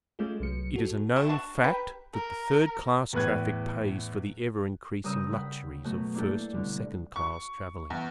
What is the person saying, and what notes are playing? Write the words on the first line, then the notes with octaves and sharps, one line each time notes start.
It is a known fact that the third class traffic pays for the ever-increasing luxuries of first and second class travelling.
G#3 A3 C#4 F4 G#4
C2 F#3 C#7
F#4 A4
F#3 G3 A3
D4 F#4 A5
G4 A#4 B4
A#4
E2 A2 B4 F#6 G#6
G2 C#3 A#4 D#6 E6 G6
F#5 G5 B5
F#2 B2 A3 F#4
A#3 D4 E4 G4 A4
B2 D3 G3
C#6
E2